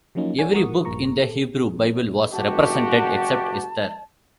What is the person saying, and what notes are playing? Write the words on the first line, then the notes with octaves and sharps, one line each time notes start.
Every book in the Hebrew Bible was represented except Esther.
F3 F#3 A#3 C#4 D#4 F4
C#5 D5 F#5 G#5
A#4 F#5 C#6 D#6
A1 G2 A#2 A#3 A#5 C#6
A4
F#1 F#4 G4 A5